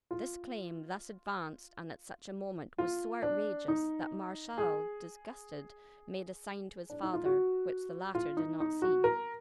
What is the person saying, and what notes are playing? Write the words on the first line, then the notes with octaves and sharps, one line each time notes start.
This claim, thus advanced and at such a moment, was so outrageous, that Martial, disgusted, made a sign to his father, which the latter did not see.
F4
F4
D4
D#4
G#4
D4
D#4
F4
F#4
F4
D#4
D#4
F#4
A#4